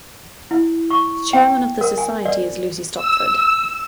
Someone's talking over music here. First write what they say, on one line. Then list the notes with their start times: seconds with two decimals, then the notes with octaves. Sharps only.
The chairman of the society is Lucy Stopford.
0.51 E4
0.90 C#6
1.33 G5
1.81 A#4
1.98 G#5
2.26 D5
2.95 E6